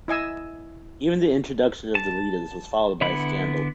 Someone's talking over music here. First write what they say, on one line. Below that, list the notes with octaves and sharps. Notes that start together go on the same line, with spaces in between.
Even the introduction of the litas was followed by a scandal.
E4 D#5 G#5 E6
A5
D3 B3 E4 B5